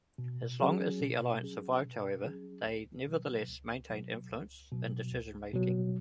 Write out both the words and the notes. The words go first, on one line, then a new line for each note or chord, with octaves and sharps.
As long as the Alliance survived, however, they nevertheless maintained influence in decision-making.
B2
F#3 C#4 G#4
B2
F#3 C#4 G#4
B2
F#3 C#4 G#4
C#2
B2 F#3
C#2
B2 F#3
C#2
B2 F#3
C#2
B2 F#3